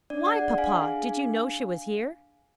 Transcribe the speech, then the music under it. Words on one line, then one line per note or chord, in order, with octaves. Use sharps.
"Why, papa; did you know she was here?"
D4 D5
D5 F#5
G#4
D4 F5 G#5
G#4
D4